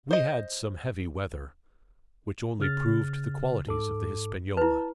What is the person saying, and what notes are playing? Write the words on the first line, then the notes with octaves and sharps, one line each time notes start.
We had some heavy weather, which only proved the qualities of the HISPANIOLA.
C5 D#5
C#3 F6 A6
G#2 A4 D6
E4 B4 A5